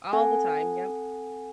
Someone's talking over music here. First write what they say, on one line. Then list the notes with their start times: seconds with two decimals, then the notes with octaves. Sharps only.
All the time, yep.
0.13 C4 A4 F#5 G#5